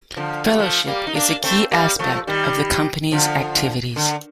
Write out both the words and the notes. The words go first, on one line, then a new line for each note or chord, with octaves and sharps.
Fellowship is a key aspect of the Company's activities.
D3 F3
F3
G3
F3 A3
G3 A#3
D#4
A#3 D4
A3 C4
G3 A#3
F3 A3
D#3 G3
D3 F3
D3